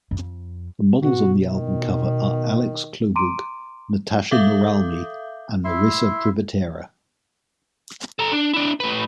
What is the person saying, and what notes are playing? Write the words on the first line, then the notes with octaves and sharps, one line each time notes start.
The models on the album cover are Alex Klobouk, Natasha Noramly, and Marisa Privitera.
F2
B2 F#4
D#3
A#5 C6 D6 D7 D#7
A4 E5 F5 D6 D#6 G6
E4 E5 C6
A4 A#5
D4
D4 E4
A2 B4